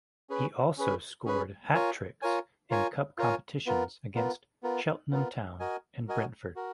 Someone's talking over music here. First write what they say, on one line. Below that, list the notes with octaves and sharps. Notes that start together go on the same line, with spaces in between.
He also scored hat-tricks in cup competitions against Cheltenham Town and Brentford.
C#4 G#4 B4
C#4 G#4 B4
C#4 G#4 B4
F4 A#4 C#5 G#5
F4 A#4 C#5 G#5
F4 A#4 C#5 G#5
F4 A#4 C#5 G#5
B3 F4 A#4
B3 F4 A#4
B3 F4 A#4
B3 F4 A#4
F#4 A#4 D#5 G#5
F#4 A#4 D#5 G#5
F#4 A#4